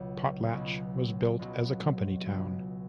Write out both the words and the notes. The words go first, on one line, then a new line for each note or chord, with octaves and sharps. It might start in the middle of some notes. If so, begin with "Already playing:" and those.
Potlatch was built as a company town.
Already playing: C#2 B2 F#3 C#4
C#2 B2 F#3 C#4
C#2 B2 F#3 C#4
C#2 B2 F#3 C#4